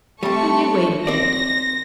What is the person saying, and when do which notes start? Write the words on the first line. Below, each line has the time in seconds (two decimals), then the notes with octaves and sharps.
But you wait a bit.
0.23 G3 A3 C4 A5 C#6
1.07 C4 D5 A#6